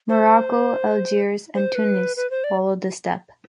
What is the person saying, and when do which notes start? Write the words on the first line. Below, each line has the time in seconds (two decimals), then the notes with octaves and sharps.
Morocco, Algiers and Tunis followed this step.
0.09 C5
1.55 C5
1.75 B4
2.17 B4
2.31 C5
2.44 D5